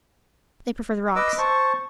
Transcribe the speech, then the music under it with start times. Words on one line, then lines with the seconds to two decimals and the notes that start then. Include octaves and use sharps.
They prefer the rocks.
1.16 B4 D#5 D6 E6
1.38 C5 A5 C#6